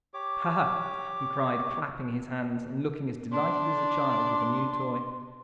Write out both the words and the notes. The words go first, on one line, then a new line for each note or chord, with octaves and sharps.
"Ha! ha!" he cried, clapping his hands, and looking as delighted as a child with a new toy.
G4 C#5 D6
D4 D5 C6